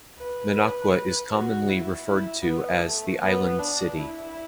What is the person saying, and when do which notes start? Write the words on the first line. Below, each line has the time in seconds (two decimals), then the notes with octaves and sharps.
Minocqua is commonly referred to as The Island City.
0.18 B4
1.32 F#4
1.69 E4
2.08 E4
2.45 B3
2.84 A3
3.22 B3
3.59 D4
3.98 E4